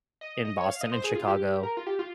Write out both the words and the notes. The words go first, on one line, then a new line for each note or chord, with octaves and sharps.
in Boston and Chicago,
D#5
D#5
C#5
F5
D#5
C5
G#4
F4
G4
A#4
F4
G4
F4